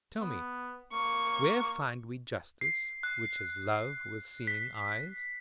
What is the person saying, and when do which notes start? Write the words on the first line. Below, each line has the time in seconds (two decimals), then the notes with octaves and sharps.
Tell me: where find we justice, which is love with seeing eyes?
0.21 B3
0.93 A#3 C#6
2.61 C7
3.03 F#6
4.47 B6